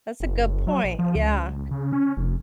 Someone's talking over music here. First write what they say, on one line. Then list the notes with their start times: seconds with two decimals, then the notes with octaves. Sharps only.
that's a good point, yeah,
0.20 F#1
0.67 F#3
0.84 A#1
0.99 F3
1.15 C#2
1.71 C#3
1.93 C#4
2.17 F1